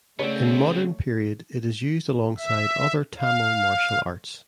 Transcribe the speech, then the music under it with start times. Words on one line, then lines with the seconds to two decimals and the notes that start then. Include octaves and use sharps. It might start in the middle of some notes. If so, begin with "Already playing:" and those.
In modern period it is used alongside other Tamil martial arts.
0.19 C#3 A3 B3 C4 C#5 D5
2.38 E5
3.19 F5